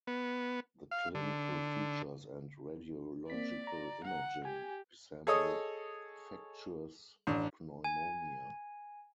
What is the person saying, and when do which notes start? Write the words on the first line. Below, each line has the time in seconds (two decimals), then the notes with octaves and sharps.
The clinical features and radiological imaging resemble infectious pneumonia.
0.07 B3
0.91 F5
1.15 D3
3.30 A#3 C4 D5 B6
3.67 A#5
4.04 F#5
4.45 G4 G#5
5.27 G#4 A4 C#5 D#5 D#6
7.27 A1 D4
7.84 G#5